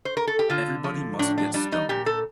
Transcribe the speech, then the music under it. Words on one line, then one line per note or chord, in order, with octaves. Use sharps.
Everybody must get stoned.
C5
A#4
A4
G4
D3 F4
F3
A2 D4
D4
G3 D4
D#4
A#2 G4
A4